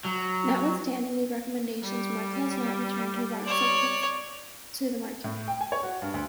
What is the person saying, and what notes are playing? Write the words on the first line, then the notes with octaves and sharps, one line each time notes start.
Notwithstanding these recommendations, Merck has not returned rofecoxib to the market.
F#3
G3
C#5 D5
A2
G5
G#5
C#5
F#4
G2
D2